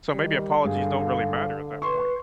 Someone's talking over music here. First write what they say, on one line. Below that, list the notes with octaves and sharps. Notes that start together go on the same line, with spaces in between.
so maybe apologies don't really matter at that point.
D#3 G3
G2 D3 G#4 F5
B4 C6 C#6